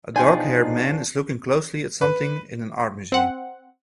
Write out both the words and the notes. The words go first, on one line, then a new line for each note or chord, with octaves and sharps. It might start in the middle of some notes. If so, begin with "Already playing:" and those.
A darkhaired man is looking closely at something in an art museum.
B2 F3 D4 D#4 F4 G#4 G5 G#5
B4
C4 F#5